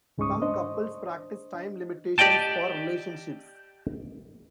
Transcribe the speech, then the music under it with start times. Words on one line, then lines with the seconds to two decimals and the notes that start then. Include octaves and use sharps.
Some couples practice time limitations for relationships.
0.18 C#2 G#2 G#3 C#4 C#6 D#6
0.42 D4 C5 D#5
2.18 G4 D5 D#5 G5 A5